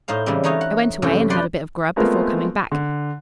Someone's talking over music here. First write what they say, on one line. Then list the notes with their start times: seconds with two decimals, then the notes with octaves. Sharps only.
I went away and had a bit of grub before coming back.
0.08 A2 D#4 C5 F5
0.26 C#3 E3 G3 G#3 C4
0.44 E3 A3 D#4 C#5 D#5 F5
0.61 F#5
1.02 F#2 C3 E3 A3 G5
1.30 B4 C5 D5 F#5 C6
1.96 G#3 A3 B3 C4 F4 A#4
2.72 D3